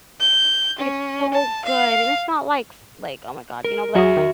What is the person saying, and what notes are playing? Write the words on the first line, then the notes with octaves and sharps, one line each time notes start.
it's so good, and it's not like s like, oh my god, you know, but like like,
G6
C#4
A5
F5
A#4
F#3 F#4 G#4 E5
D#3